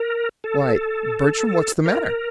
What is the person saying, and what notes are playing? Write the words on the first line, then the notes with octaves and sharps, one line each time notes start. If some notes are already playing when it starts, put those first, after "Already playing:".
"Why, Bertram, what's the matter?"
Already playing: A#4
A4
A#4